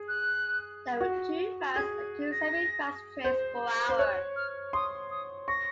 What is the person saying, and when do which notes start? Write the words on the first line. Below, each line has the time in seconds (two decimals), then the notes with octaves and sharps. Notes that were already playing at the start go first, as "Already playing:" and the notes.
There were two fast and two semi-fast trains per hour.
Already playing: G#4
0.08 F#6
1.00 F#4
1.76 G#4 G#6
2.32 A#6
3.24 C5
3.89 C5
3.98 C#5 F#6
4.36 F6
4.73 C6 D#6
5.11 D#6
5.48 C#6 A#6